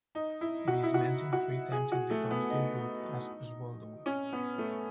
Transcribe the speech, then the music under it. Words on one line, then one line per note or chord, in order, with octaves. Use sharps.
It is mentioned three times in the "Domesday Book" as "Osboldewic".
D#4
E4
F#4
E4
F#4
F#4
G#4
F#4
A3
B3
D#4
C#4
B3
A3